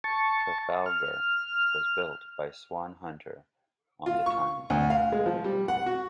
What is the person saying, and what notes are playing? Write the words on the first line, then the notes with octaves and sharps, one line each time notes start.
"Trafalgar" was built by Swan Hunter on the Tyne.
A5 C#6
F6
F4
C#6
D2
F5
G#3
F3
G3
F#5
F#4